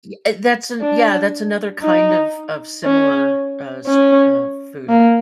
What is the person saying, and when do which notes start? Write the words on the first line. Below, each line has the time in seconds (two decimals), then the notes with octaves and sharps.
Y that's a yeah, that's another kind of of similar, uh, s uh, food.
0.81 D4
1.82 D#4
2.84 C#4
3.86 C#4
4.89 A#3